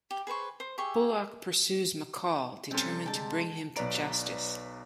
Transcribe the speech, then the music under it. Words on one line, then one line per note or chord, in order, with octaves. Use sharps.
Bullock pursues McCall, determined to bring him to justice.
G4
G#4 B4 C5 C#6
C5
G4 G#4 E5 C#6
C3 G3 C4 C#4 A4
D3 G#3 G5 A5
B1 B4 C#5 D5 A#5 D7